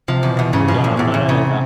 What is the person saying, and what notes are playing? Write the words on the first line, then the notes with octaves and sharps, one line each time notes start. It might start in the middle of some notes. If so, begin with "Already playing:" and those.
Yeah, I'm not a
C3 F3
E2
B2
E2
G#2 C#3
G2 F3
B2
E2 A#2
E2 A2
E2
C3
C#3